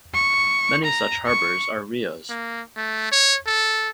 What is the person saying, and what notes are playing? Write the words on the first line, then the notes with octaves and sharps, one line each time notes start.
Many such harbors are rias.
C#6
A#5
C#6
A#3
A3
C#5
A4